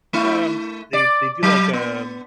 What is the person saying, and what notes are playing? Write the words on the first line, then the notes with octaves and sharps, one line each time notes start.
um they they do like, um
A3 E4
D5
F#3
B3